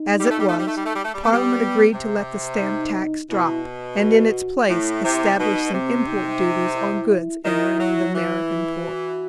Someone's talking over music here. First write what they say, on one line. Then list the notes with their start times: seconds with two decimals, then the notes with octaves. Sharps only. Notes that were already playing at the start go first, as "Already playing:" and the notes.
As it was, Parliament agreed to let the stamp-tax drop, and in its place established some import duties on goods entering the American ports.
Already playing: D#4
0.20 G3
0.30 A3
0.39 G3
0.48 A3
0.58 G3
0.67 A3
0.76 G3
0.86 A3
0.95 G3
1.04 A3
1.14 G3
1.23 A3 B3
1.32 G3
1.93 C3
2.62 D#4
3.31 B2 E4
4.00 F#4
4.69 A2 E4
5.03 C3
5.38 B2 D#4
5.73 C3 C4
6.07 D#4
6.76 E4
7.45 D#3 E4
7.80 F#3
8.14 E3 E4
8.83 F#4